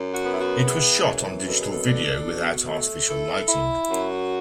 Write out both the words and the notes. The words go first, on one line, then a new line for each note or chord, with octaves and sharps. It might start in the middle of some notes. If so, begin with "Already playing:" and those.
It was shot on digital video without artificial lighting.
Already playing: F#2
F#4
B3
E4
F#4
E3 G#4
F#2
B2 A4
G#4
A4
D4
B2
A3
E4 A4
E4
F#2 F#4